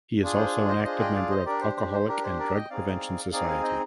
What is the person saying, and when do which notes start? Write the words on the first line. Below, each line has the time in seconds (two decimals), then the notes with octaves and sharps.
He is also an active member of Alcoholic and Drug Prevention Society.
0.22 D4 F4 G#4
0.37 C5
0.68 C5 D#5
0.79 D5
0.83 D4 F4 G#4 C5 D#5
1.00 D#5 G5
1.15 D5 F5
1.30 C5 D#5
1.46 D4 G4 A#4 D5
1.61 C5
1.77 C5
1.93 C5
2.08 D4 G4 A#4
2.23 C5
2.39 A#4 D5
2.54 D#5 G5
2.70 C4 D#4 G#4 D5 F5
3.32 C4 D#4 G#4 D5 F5
3.48 F5 G#5
3.63 D#5 G5